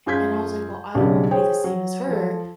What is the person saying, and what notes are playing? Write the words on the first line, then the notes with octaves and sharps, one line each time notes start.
and I was like, "Well, I don't wanna be the same as her,
F#2 F4 G#4 G6 G#6 B6
B1 C#3 F#3 D4 G4 D5
G#4 C5 C#5 G5
F#3
F3 A4